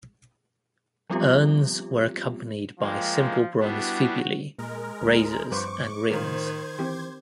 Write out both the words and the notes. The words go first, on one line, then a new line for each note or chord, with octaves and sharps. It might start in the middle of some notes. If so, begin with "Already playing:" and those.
Urns were accompanied by simple bronze fibulae, razors and rings.
F3 G3 B3 C4 F4 G4
F3 G#3 A#3 G5
G3 B3 D4 E4 F#4
A#2 G#3 A#4
D2
G2 F3 B4 C5 C#6 D6
A2 D#3 F4 A#4 C5 G#6
E3 C4 G4